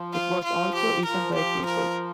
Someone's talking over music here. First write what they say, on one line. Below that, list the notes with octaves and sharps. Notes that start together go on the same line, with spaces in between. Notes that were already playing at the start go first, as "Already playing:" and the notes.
It was also eaten by people.
Already playing: F3
F4
F3 F4
G4
F3 A#4
G4
A#4